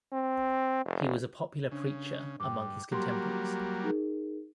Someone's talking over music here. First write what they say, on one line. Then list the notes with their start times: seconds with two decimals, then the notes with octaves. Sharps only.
He was a popular preacher among his contemporaries.
0.13 C4
0.85 F1
1.71 C#3 D4
2.40 G2 G5 D6
2.92 F#3 G3 A#3 G4 C6
3.84 D#4 G#4 A#4